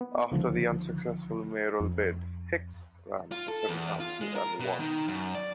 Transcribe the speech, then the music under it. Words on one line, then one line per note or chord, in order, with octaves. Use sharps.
After the unsuccessful mayoral bid, Hicks ran for city council and won.
B3
C#2 D3 D#3 F3
F2
F4
A4
E2
F4
G#3
A#4
B2
D#3
F#2
D5